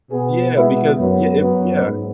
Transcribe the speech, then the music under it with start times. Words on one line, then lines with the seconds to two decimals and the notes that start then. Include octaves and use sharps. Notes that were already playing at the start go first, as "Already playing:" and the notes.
Yeah, because yeah, eh Yeah,
0.10 B2 B3 G#4
0.53 B2 G#3 B3 E4
0.96 F#2 F#3 B3
1.40 F#2 F#3 B3
1.83 G#2